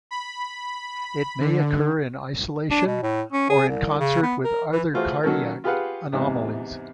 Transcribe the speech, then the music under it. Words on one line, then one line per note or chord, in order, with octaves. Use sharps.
It may occur in isolation or in concert with other cardiac anomalies.
B5
D3
D4
B2
A2
C#4
G#4
C2
C#3
B3
A#4
E3
E3 A3 F4 F#4 G#4 C5
D#3 F#3 A#3 C#4 A4 A#4
F4 G4 G#4 B4 F5 F#5
E2 G#2 C3